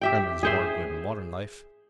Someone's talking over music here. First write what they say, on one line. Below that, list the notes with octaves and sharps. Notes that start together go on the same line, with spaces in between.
German's more good in modern life.
G4 E5 G5
G#4 C5 E5